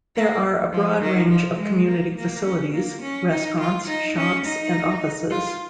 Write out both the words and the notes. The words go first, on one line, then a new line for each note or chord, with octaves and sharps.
There are a broad range of community facilities, restaurants, shops and offices.
A#3
F3
D#3
F3
G#3
A#3
A#3
C#4
A#3
C#4
D#4
F4
D#4
C#4
D#4
F4